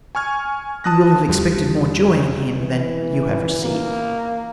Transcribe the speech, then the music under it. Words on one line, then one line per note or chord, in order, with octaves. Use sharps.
You will have expected more joy in him than you have received.
G#5 C#6 F6 G#6
A5 D#6 F#6 A#6
E2 F3 G3
E3
A#3